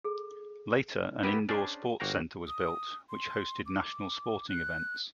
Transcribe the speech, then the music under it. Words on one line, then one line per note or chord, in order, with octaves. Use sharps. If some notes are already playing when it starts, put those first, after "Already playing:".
Later an indoor sports centre was built, which hosted national sporting events.
G#4 A4
B3 E4 G4 A#4 B4
C#4 D4 G#4 C5 D5 F5
G1 A#3 F#4 F5 G5 A#5
D#6
C6
D6
F#6